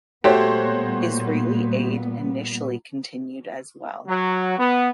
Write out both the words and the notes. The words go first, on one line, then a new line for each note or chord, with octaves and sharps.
Israeli aid initially continued as well.
A#2 G3 A3 B3 F#4 G4 C5 C#5
F#3
B3